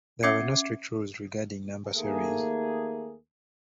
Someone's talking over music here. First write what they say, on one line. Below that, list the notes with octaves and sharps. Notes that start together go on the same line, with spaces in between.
There were no strict rules regarding number series.
C#4 E5 D6 G#6 C7 C#7
D#2 A3 A#3 G#4